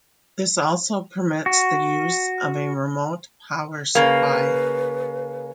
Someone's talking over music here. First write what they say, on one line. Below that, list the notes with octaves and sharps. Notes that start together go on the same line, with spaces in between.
This also permits the use of a remote power supply.
F#4
C#3 A#3 B4